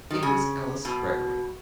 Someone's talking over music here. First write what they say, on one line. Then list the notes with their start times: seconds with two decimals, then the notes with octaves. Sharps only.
It was Alice Greggory.
0.10 D#3
0.23 C#3
0.85 B2